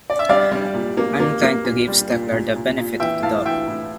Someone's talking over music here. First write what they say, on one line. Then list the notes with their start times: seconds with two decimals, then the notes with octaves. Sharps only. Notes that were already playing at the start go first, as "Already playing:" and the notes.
I'm inclined to give Steckler the benefit of the doubt.
0.10 D5
0.19 E5
0.29 G3 D5 F5
0.52 G3
0.74 A#2
0.97 A#3
1.20 A#3
1.42 A#3
1.65 A#2
1.88 G3
2.10 A#2
2.33 A#2
2.55 A#2
2.78 A#2
3.00 E3 E5 G5
3.23 A2 F5 A5
3.46 E3 E5 G5
3.68 A2